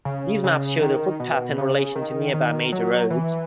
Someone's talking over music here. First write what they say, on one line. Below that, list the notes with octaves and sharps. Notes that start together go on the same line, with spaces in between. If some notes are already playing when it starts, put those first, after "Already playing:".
These maps show the footpath in relation to nearby major roads.
C#3
C#3
D#3
B2
C#3
D#3
D#3
F#3
E3